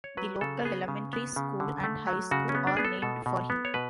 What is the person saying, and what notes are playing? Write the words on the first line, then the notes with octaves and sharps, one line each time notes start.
The local elementary school and high school are named for him.
C#5
F#3 B4
C#3 A4
B3 G#4
C#3
B3
C#3
D3
A3
F#3
C#3 F#4
C#4
B3
D4
B3 G#4
A4
B2 A4
B2
B3
C#5
B2 B4